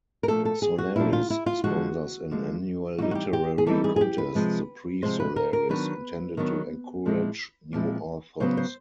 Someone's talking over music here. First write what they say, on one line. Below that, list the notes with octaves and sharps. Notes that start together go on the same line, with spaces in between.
"Solaris" sponsors an annual literary contest, the Prix Solaris, intended to encourage new authors.
A#4
A#2 F3 A3 D4 A4
A4
G#4
F#4
A#2 F3 A3 D4 E4
F4
E4
F4
D3 F3 G#3 F#4
D3 F3 G#3
E3 G3 C4 D#4 F#4
F#4
G4
G4
G#4
E3 G3 C4 D#4 A4
G#4
G#4
G4
B4
C3 F3 G#3
C3 F3 G#3 C5
B4
A#4
A#4
D#3 F#3 B3 D4 B4
D#3 F#3 B3 D4
A#2 F3 G#3 C4 E4
A#2 F3 G#3 C4 E4
C#3 F#3 B3 C5
C5